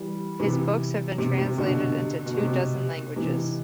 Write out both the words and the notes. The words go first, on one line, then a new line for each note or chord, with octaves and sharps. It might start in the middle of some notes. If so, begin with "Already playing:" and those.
His books have been translated into two dozen languages.
Already playing: E3 G3
C3 E3
C3
C3
B2 D3
B2
C3
C3 E3